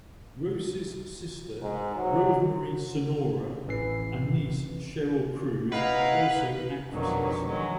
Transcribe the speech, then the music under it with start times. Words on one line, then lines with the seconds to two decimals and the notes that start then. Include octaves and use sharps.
Roces' sister, Rosemarie Sonora, and niece Sheryl Cruz are also actresses.
1.63 G#2
1.96 F#3
3.67 A1 E3 C7
5.72 D#4 E4 B4 F5 F#5 A#5
6.92 F2 B2 D3 D#3 F#3
7.45 D#3 F#3 G#3